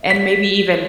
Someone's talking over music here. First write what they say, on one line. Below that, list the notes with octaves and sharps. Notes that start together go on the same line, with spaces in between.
and maybe even
B6